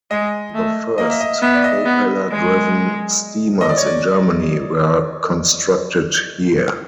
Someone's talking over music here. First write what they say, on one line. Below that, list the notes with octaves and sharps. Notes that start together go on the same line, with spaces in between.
The first propeller-driven steamers in Germany were constructed here.
G#3 D#5
A3
A#3 D#5
E5
D#5
B3 E5
D5
D#5
B3
G#3
D#5
D5
C#5
D5